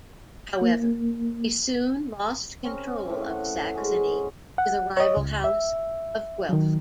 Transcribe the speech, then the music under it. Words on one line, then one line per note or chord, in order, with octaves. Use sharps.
However, he soon lost control of Saxony to the rival House of Guelph.
A#3
C4 C#4 A#4
A2 E3
F#5
G#3 C#4 F#4 G#4
F#5
C#5 D#5
C#2
E5
D#3 F#3